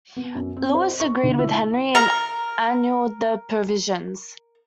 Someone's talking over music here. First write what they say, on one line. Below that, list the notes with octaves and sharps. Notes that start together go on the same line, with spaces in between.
Louis agreed with Henry and annulled the provisions.
B3
F#2
C4
C5
C#6
D2
E4
A#4 A#5